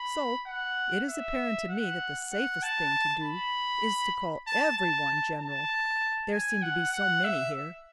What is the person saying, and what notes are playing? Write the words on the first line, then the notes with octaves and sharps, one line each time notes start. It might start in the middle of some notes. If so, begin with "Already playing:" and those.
So it is apparent to me that the safest thing to do is to call everyone general--there seem to be so many here.
Already playing: B5
F#5
E5
F#5
F#5
A5
B5
A5
A5
A5
G#5
F#5
F#5
E5